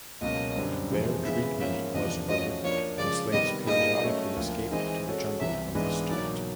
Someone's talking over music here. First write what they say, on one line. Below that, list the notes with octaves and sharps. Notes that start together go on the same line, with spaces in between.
Their treatment was horrific, and slaves periodically escaped to the jungle from the start.
C#2 B2 F#3 A#3 C#4 D#5
F#2 D3 G3 C4
F2 C3 E3 G#3 C4
C#3 E3 G#3 B3 E5
G#2 F3 A#3 C#4 E5
E2 C3 F3 A#3 D4 D#5
F3 A3 C#4 F#4 D#5
F3 A#3 D4 C#5
C#3 F3 G#3 D5
C3 D#3 G3 B3 D#5
A#2 G3 A#3 D#4 G#4 D#5
F#3 A3 C#4 F#4
D2 D3 F3 A#3
E3 G#3 C4 D#4 G#4 D#5
G#3 C#4 F#4 A4 C#5
C2 C3 E3 E5
G#2 E3 G#3 B3 D4 D#5
B2 F#3 A#3 D#4 D5